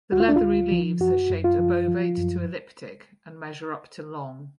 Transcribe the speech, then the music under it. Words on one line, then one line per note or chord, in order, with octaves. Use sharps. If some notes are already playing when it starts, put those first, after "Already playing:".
The leathery leaves are shaped obovate to elliptic and measure up to long.
D2 F#4
F4
D4
F4
D2
F3
F#2 F#4
F#2
F4
F3
F3
F#2